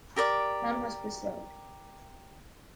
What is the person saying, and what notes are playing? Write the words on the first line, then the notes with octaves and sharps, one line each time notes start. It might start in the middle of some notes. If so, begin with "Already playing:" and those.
None was preserved.
G4 A#4 D5 D6